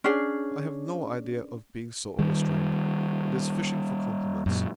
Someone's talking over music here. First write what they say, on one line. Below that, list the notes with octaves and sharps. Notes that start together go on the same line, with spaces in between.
I have no idea of being so overstrained! It is fishing for compliments.
C#4 D4 G#4
D#3 G3
F#2 A#2